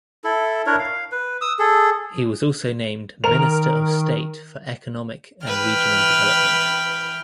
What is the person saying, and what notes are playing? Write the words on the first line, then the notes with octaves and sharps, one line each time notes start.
He was also named "Minister of State for Economic and Regional Development".
E4 A4
D4 E4 A#4 C#5
F5
B4
D#6 E6
G#4 A4
D#3 A#4 F7
E3 B4 G5 F6